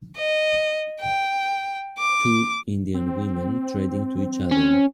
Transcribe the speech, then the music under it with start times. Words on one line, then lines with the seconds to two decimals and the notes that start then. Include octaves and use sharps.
Two Indian women treading to each other.
0.17 D#5
1.01 G5
1.99 D6
2.94 C4
4.51 C#4